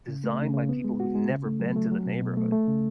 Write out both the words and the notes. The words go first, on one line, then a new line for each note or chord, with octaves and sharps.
designed by people who've never been to the neighborhood.
C#3
A3
C#3
C#3
B3
G#3
F#4
G#3
C#3
A3
F#3
A3
F#3
B2
B2
A3
A3
C#3